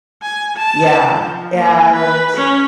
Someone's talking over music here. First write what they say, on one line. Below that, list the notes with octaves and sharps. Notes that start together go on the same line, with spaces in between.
Yeah, and d
G#5
A5
F3
A#3
B4
C#4